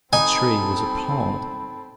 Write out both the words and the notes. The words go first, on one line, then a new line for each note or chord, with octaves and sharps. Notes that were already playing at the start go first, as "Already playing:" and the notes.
The tree was a palm.
C4 D#4 A4 G#5 B5